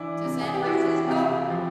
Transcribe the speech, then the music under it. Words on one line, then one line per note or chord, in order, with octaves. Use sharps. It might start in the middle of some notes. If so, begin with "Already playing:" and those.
To San Francisco?
Already playing: E3 D4 E4
C3
G#4
G4
E3 E4 F#4
C3 F4 G4
F3